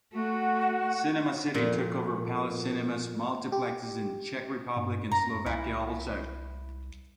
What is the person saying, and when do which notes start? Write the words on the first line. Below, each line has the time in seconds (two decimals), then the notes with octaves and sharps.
Cinema City took over Palace Cinemas' multiplexes in Czech Republic and Slovakia also.
0.12 A3 F#4
1.54 F2 A#2
3.52 G4
4.77 G2
5.12 F#2 A#5
5.46 C2 E4